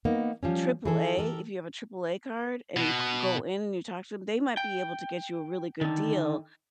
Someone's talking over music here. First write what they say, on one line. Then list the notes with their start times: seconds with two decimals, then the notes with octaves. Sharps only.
AAA, if you have a AAA card and you g go in and you talk to 'em, they might be able to get you a really good deal
0.05 A#3 B3 D#4
0.43 F3 G3 C#4
0.85 E3 G#4 A4
1.18 G4 A4 A#4
2.76 B2
4.57 G5
5.81 D3 D#3